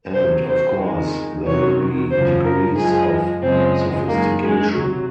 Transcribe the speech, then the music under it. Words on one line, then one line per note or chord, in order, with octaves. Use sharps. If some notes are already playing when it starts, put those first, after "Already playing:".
And, of course, there will be degrees of sophistication.
C3 F#3 C5
C5
F2 D#3 G#3
C3 D#3 F#3 C#5
F#2 C#3 F3 C5
A#4
F#2 F3 G#3 G#4
F#2 C#3 F3 G#3 C4
F#2 D#3 G#3 A#3
G#3
C3 F#3